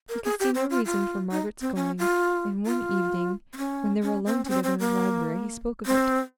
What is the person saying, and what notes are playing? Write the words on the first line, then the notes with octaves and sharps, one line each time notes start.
He could see no reason for Margaret's going, and one evening when they were alone together in the library he spoke of it.
A#4
G#4
G4
C4
F4
F4
D#4
C4
C#4
F4
F4
C4
C#4
C#4
C4
C#4
C4
C4
A#3
C4